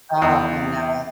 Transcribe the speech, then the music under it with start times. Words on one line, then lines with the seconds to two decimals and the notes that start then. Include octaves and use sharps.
Oh, I know.
0.22 E2